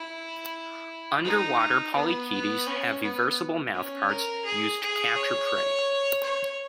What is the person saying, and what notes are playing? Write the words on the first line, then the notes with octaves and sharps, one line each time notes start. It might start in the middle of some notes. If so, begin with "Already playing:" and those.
Underwater polychaetes have eversible mouthparts used to capture prey.
Already playing: E4
D#4
B3
B3
C#4
B3
C#4
A#4
G#4
G#4
C#5
C#5